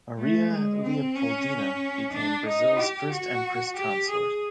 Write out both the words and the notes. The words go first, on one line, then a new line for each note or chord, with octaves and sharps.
Maria Leopoldina became Brazil's first empress consort.
A3
G#3
C4
C#4
D4
D#4
G4
F#4
G4
G#4